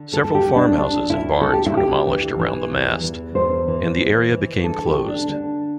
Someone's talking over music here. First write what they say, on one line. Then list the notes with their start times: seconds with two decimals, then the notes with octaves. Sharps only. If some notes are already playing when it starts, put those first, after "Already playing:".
Several farmhouses and barns were demolished around the mast and the area became closed.
Already playing: D3
0.12 D2 A4
0.25 A4
0.35 G4
0.45 D2
0.56 D4
0.78 D2 D4
1.10 D2 E4
1.41 D2 A4
1.53 G4
1.66 E4
1.75 D2 G4
2.07 E3
2.39 E3
2.71 E2
3.03 E3
3.35 E2 C5
3.68 E3
4.00 E3
4.32 E3
4.64 D2 A4
4.86 G4
4.97 D3
5.07 D4
5.29 D3 D4